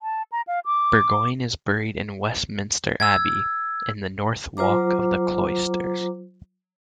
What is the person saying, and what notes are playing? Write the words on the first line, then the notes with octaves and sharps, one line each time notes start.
Burgoyne is buried in Westminster Abbey, in the North Walk of the Cloisters.
A5
A#5
F5
D6
E6 G#6
F#3 F4 C5 A#5 D6